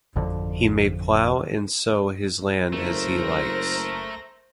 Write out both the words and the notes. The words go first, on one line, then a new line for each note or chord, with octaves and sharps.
He may plough and sow his land as he likes.
G#1 F2 D3
F#1 A3 A#4 C5 A#6